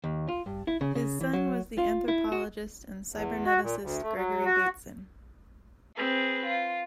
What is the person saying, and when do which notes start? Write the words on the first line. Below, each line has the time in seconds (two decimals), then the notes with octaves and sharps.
His son was the anthropologist and cyberneticist Gregory Bateson.
0.04 D#2
0.28 F4
0.46 G2
0.67 E4
0.81 C#3
0.95 C#3
1.21 E3
1.33 F#3
1.78 F4
2.08 E4
2.32 F#4
3.12 E2
3.46 F#4
3.63 A#2
3.82 D2
4.03 A3
4.15 F#3
4.45 F#4
5.95 C4 G#4 B4
6.46 F4